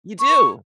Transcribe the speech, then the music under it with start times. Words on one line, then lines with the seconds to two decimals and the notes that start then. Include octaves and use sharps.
You do.
0.20 C#6